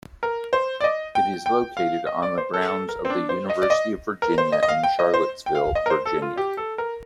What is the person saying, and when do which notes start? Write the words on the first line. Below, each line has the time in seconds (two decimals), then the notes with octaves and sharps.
It is located on the grounds of the University of Virginia in Charlottesville, Virginia.
0.23 A#4
0.53 C5
0.81 D5
0.84 D#5
1.15 G5
1.46 G5
1.77 F5
2.06 D#5
2.23 D5
2.38 C5
2.54 A4
2.68 A4
2.89 A#4
3.05 C4
3.10 D4
3.29 C5
3.50 D#5
3.62 D5
3.70 D#5
4.22 A#4
4.38 C5
4.52 D#5
4.63 D#5
4.69 F5
4.83 G5
4.99 D#5
5.14 C5
5.46 G5
5.55 F5
5.75 D#5
5.86 A#4
5.90 C5
6.06 A4
6.22 F4
6.37 G4
6.57 A4
6.78 A#4